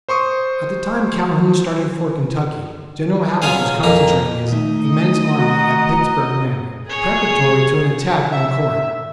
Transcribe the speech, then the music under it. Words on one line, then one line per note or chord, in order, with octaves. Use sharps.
At the time Calhoun started for Kentucky, General Halleck was concentrating his immense army at Pittsburg Landing, preparatory to an attack on Corinth.
C5 C6 C#6 D#6
F#3 C#4 F4 G#4
F2 A#3 A#5
D#2 A3 D#4 D#5 E5
F#4 A#5
G#4 C#5
E5